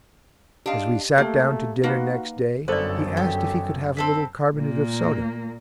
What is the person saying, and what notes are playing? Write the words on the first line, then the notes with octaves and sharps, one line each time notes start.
As we sat down to dinner next day he asked if he could have a little carbonate of soda.
D4 G4 D#5 F5 C6
A3 A#3 G4
A#3 D#4 F#4 B4 F#5
G1 F#2 A4 B4 C5 D5
G4
C4 A4 B4
A#2 A#3